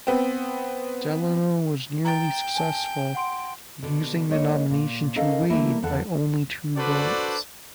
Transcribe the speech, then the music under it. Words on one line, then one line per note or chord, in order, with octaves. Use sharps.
Delano was nearly successful, losing the nomination to Wade by only two votes.
B3 C4
G5 A#5 A6
G#5 A5
F#5 C6 D7
B2 D3
G#3 A#3 D#4 C#5
A#2
C#4 D#4 A4 A#4 D#5 F5
E3 G3 A3 A#3 E4
E2 D3 A4 F#5
D4 F#4 A4 B4 C5 D5